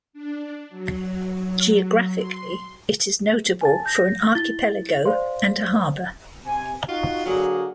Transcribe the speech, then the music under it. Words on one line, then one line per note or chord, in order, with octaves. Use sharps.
Geographically, it is notable for an archipelago and a harbour.
D4
F#3
C6
G#5 A5 A6
G6 A#6
E4 A6 G7
C5 D5 F5 C6
C3 G#5
D#4 F4 F#4
D3 F#3 A#3 F#4 G#4